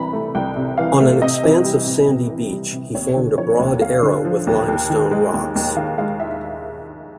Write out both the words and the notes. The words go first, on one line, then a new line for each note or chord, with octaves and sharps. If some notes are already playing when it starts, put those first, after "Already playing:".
On an expanse of sandy beach he formed a broad arrow with limestone rocks.
Already playing: C2 C3 E3 A#5 B5
A3
C2 G5
C3
E3 F5
A3
C3 D#5
E3
G3
C3
C3
E3
G3
C3
D#2 C#5
D3
F3 C#5
D#2
D#2 F5
D3
F3
D#2
D#2
D#3
G#3
D#2
D#2
D#3 F5
G#3 F5
E5